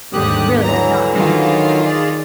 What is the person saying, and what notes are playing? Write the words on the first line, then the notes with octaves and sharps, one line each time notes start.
He really did not know.
D#2 G#2 D3 G4 D#6 F#6
D3 E3 F#3 A#5
D#3 F4
G#4 D5